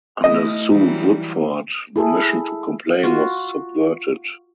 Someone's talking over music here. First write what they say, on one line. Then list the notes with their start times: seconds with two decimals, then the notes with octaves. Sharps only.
Under Sue Woodford the mission to complain was subverted.
0.24 A3 E4 D#5
0.72 E3 F#3 G3
1.96 E4 G#4 A4
3.03 F4 F#4